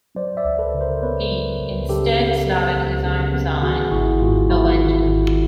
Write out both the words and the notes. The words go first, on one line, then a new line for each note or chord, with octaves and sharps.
He instead started his own zine, The Legend!
F#3 C5 D5
D5 E5
C#2
A4 B4
C#3
A#4 C5
B3 B4 C#5
F#3
C#2
C#3 G4 A4
B3
F#3
C#2
C#3
B3
D#3 F#4 G#4
G#1 E4 F#4
G#2 F4
F#3 E4 F#4
D#3
G#1